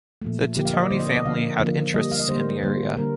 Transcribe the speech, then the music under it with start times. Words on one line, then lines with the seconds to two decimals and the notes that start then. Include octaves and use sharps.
The Tittoni family had interests in the area.
0.22 A#2 F3 A3
0.56 D3 F3 A#3 G4
0.65 F5
0.74 D#5
0.82 D5
0.91 D3 F3 A#3 C5
1.00 D#5
1.07 D5
1.16 D#5
1.25 D3 F3 A#3 F5
1.60 D3 F3 A#3
1.94 D3 G3 A#3 D#5
2.11 F5
2.19 D#5
2.28 D3 G3 A#3 C5
2.63 D3 G3 A#3 C5
2.97 D3 G3 A#3 A#4